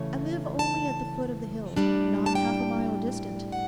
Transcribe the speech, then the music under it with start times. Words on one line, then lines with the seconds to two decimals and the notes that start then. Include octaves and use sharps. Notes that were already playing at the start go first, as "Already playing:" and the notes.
I live only at the foot of the hill, not half a mile distant.
Already playing: C#3 E3 A3 C#5
0.59 A5
1.76 A2 G3 D4
2.26 A5
2.35 G5
3.52 F#5